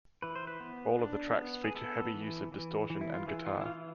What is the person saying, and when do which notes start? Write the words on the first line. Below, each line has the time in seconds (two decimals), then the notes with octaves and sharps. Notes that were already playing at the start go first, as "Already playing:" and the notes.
All of the tracks feature heavy use of distortion and guitar.
0.22 E3 B4
0.35 C5
0.47 B4
0.60 B3
0.99 D4
1.37 B3
1.64 G#4
1.75 B3 A4
2.14 E3
2.52 E3
2.90 E3
3.01 E4
3.14 F4
3.27 E3 G#4
3.46 F4
3.61 E4
3.65 E3 F4